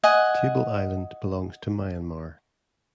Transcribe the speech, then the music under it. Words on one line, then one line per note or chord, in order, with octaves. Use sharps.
Table Island belongs to Myanmar.
D#5 F#5 G#5